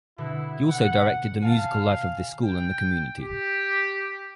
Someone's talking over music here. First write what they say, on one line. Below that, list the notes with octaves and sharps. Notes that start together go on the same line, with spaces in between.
He also directed the musical life of this school and the community.
B2 D3 E4
F#5
F5 G#5 A5
G5
G4